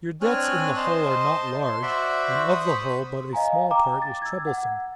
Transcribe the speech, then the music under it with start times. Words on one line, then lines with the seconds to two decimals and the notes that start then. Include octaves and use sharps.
Your debts in the whole are not large, and of the whole but a small part is troublesome.
0.22 C4 D4 C#5 G#5 F6 F#6
0.77 C5 D#5 A5 C6
1.63 C6
1.82 F#4 C5 D5 E5 B5 C#6
2.48 C5 B5 C#6 D#6
3.33 D#5 F5 G#5 A#5
3.70 G5 A#5 D6
4.02 A6
4.22 E6 G#6
4.47 F#5